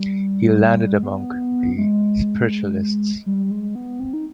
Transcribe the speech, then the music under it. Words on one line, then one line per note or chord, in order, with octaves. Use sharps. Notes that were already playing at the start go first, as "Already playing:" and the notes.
He landed among the spiritualists.
Already playing: G3
G3
G#3
B3
G#3
G3
G#3
B3
C4
D#4